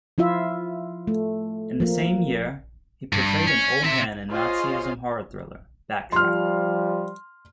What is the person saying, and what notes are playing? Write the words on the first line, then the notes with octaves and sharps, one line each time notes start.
In the same year, he portrayed an old man in Nazism horror thriller "Backtrack".
F3 E4 F4 E5
A3
F3 A#3
G2
C#4
C4 E5
F4 G#4 C5 C#5 D#5 F5
F3 G3 C6 F6